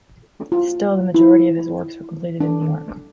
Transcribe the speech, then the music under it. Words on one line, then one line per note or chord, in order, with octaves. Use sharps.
Still, the majority of his works were completed in New York.
F4
E4
D4